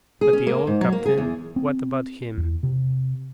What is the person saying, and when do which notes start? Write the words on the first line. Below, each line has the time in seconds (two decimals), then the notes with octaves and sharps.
But the old captain, what about him?
0.21 G#4
0.33 C#4
0.47 A#3
0.67 G#2
0.81 F#3
0.92 A#3
1.06 G#4
1.18 E2
1.56 C4
2.37 E2
2.63 C3